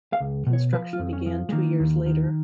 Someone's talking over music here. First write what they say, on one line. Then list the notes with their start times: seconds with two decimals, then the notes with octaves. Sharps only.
Construction began two years later.
0.13 F5
0.20 C#2
0.46 B2
0.53 C#5
0.73 F3 B4
0.93 F4
0.99 F2
1.13 C#4
1.26 F3
1.49 G#3
1.52 D#3 A#3
1.80 D#2
2.06 D#3